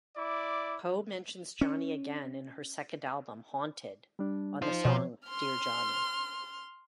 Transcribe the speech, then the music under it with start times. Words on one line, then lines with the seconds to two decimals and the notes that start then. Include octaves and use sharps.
Poe mentions Johnny again in her second album, "Haunted", on the song "Dear Johnny".
0.17 E4 D5 D6
1.61 C#4
4.19 G3 D4
4.62 D#4 F4 C5
4.85 B2 F3 C#5
5.28 C6 F6